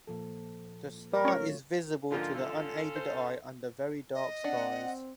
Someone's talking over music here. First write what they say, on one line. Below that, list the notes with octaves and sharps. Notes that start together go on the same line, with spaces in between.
The star is visible to the unaided eye under very dark skies.
A#2 F3 A4
A#4
F#3 A3 C#4 F4 C#5
G#2 D3 F3 A#3 F4
C#4 F4 A4
C5
D#5
C4 D4 F#5